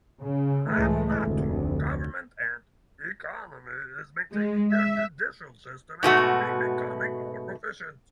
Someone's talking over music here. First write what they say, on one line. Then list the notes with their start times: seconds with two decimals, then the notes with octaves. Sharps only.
Navolato government and economy is maintaining their judicial system and keeping becoming more proficient.
0.20 C#3
0.68 C#2 A2 E3 G#3 A3
1.23 F1 D2
4.31 G#3
4.72 E5
6.03 G#2 B2 A3 F#4